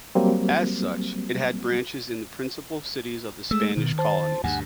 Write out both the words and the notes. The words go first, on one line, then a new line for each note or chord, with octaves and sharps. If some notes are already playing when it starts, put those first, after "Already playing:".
As such, it had branches in the principal cities of the Spanish colonies.
F#3 G3 A#3 C4
G#3 A3 E6
B2 D#3
C5 A5
D2 G2 F#5 G#5